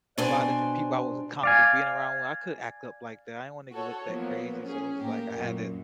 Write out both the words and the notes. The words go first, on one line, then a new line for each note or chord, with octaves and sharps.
a lot of different people I wasn't comfortable being around with, I couldn't act up like that, I didn't wanna go look that crazy, so, it was just like, I had to
B2 C4 D4 C5 G#5
D5 F5 G#5
F#4 A4 C#5
F3 F#3 A#3 B3
C#4 G#4
A2 A#3 G4 A#4
F#2 A#2